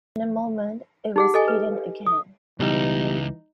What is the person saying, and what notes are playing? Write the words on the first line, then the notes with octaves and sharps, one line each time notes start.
In a moment it was hidden again.
D#4 G4 G#4 F#5
A4 D#5 G#5
B4
D#6
C#2 B2 E3 G3 D#4